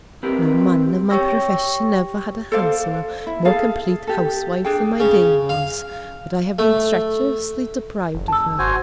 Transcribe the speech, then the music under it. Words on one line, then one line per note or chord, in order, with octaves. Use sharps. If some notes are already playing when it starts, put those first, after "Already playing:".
No Man of my Profession ever had a handsomer, more compleat Housewife, than my Dame was; but I have been treacherously depriv'd of her.
C4 G4 A#4 B4
G4 C#5 G5 C#6 E6 A#6
A4 C5 D5 F5
E4
G#4 A4 F5
G4 A4
D4 G#4 G5
C#3
F5
A3
F#1
A5 E6
G#1 F#4 C5 G#5